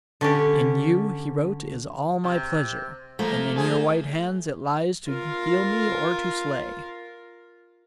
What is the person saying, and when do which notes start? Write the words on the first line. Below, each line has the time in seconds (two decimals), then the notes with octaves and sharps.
In you--he wrote--is all my pleasure, and in your white hands it lies to heal me or to slay.
0.21 D3 C#4 G4
2.24 C3
3.19 F3 A3 A#3
3.56 F3 G#4
5.09 F4 A#4